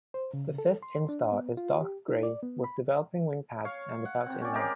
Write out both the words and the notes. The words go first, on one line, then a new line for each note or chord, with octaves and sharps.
The fifth instar is dark grey, with developing wing pads and about in length.
C5
C#3
A4
C6
D4
B3
F4
G4
D#4
D5
B3
B5
C#5 F5
F#5
C3 C4
C#4 D5
G#3 G4 A#4 C5